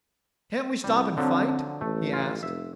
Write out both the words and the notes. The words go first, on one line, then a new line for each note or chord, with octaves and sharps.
"Can't we stop and fight?" he asked.
C2 G3
D3 F3 F#3 C4
A1 A3
F4
F1 E5